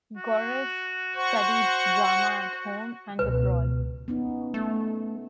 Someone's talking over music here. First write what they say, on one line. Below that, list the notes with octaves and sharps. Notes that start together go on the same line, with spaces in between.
Gorris studied drama at home and abroad.
F#4
C5 F#5 C#6
C#2 B2 B4
B3 C#4 D#4
A3